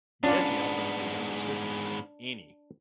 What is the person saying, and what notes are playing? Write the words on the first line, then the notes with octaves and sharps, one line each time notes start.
Jesse also has a younger sister, Annie.
G#2 B3 C#4 D4 F4 D5